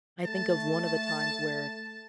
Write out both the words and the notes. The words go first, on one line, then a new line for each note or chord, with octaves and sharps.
I think of one of the times where
A3 A5